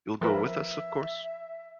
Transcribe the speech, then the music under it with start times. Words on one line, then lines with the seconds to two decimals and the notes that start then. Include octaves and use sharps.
You'll go with us, of course?
0.21 F3 A#4 B4 E5